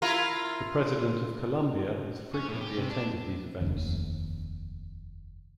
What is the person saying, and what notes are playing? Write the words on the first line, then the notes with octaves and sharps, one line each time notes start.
The President of Colombia has frequently attended these events.
E4 F4 A#4
C#4
A2
G4
C3
D4
F1 D#2